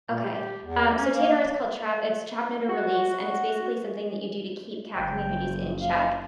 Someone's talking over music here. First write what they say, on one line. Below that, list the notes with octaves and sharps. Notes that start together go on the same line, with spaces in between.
Okay. Um, so, TNR is called trap it's trap, neuter, release, and it's basically something that you do to keep cat communities in check.
A#2
G4
E2
C#4
A#3
F#4
F#1 G5
F5